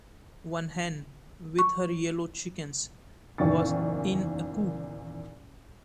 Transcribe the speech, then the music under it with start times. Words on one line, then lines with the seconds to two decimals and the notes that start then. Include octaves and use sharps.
One hen, with her yellow chickens, was in a coop.
1.59 C#6
3.38 F#1 E2 A#2 D#3 C#6 A6